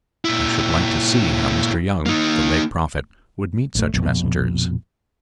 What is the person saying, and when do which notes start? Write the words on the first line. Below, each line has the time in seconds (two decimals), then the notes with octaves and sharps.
I should like to see how Mr. Young, the Lake Prophet, would meet such messengers.
0.25 A#2 E4
2.06 A#3 D#4
3.75 A1 A3
3.94 A#1 F2 B2